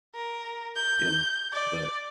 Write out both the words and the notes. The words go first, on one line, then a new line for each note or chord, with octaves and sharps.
you know, but
A#4
G6
D5